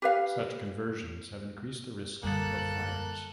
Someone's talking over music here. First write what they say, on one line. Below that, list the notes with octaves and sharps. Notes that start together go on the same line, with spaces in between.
Such conversions have increased the risk of fires.
G4 B4 F5
A#1 F#2 D3 G3 A#3 A4 F#6